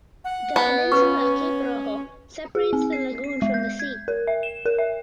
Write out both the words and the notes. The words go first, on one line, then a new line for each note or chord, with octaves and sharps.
The peninsula of Cape Rojo separates the lagoon from the sea.
F#5
B3
C#4 F#4 B4 C#6
G#4
C4
C7
C7
G#3
G6
G#6
A#4
E5
E7
A#4
E5